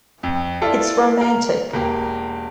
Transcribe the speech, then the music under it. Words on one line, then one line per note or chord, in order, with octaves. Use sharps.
It’s romantic.
F2
E4 F4 A4 D5
A#4
E1 A#3 G4